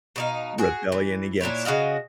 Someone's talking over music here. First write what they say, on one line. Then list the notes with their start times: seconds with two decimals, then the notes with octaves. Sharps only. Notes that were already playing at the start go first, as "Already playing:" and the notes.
rebellion against
0.16 B2 D#4 F5
0.58 F#4 G#4
0.92 E3
1.41 A#2 D4 E4 C#5
1.65 C#3 F#4 D#5 F5